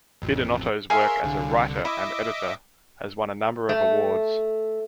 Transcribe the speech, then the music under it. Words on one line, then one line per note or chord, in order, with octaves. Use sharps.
Bidinotto's work as a writer and editor has won a number of awards.
A1 F2
G#4 A#4 C#5 E5 F5 C6
C2 D3
E4 D#5 E5 D6
A3